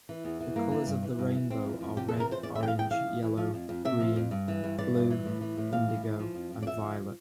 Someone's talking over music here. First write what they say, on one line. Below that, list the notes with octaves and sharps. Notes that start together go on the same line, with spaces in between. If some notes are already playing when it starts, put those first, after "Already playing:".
The colours of the rainbow are red, orange, yellow, green, blue, indigo, and violet.
E3
E2
E3
G2 A#3
E3
G2
E3
G2
E3
E3 C4
F2
F2
C3 G4
A4
E3
A#4
F2 C5
E2 D5
E5
E3 G5
F5
E2 G5
E3 F5
E2
E3
F3
F2
F2
C3 E5
F3
F2
G2
E3
G2
E3 D5
G2
E3
A2
E3
A2
E3 F5
A2
E3
F3
F2
F2
D5
D3 E5
F3